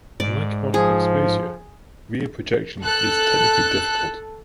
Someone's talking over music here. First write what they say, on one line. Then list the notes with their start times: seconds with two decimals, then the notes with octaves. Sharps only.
Like multiple exposure, rear projection is technically difficult.
0.20 G#2 D5
0.74 F3 G#4
2.83 A4 F#6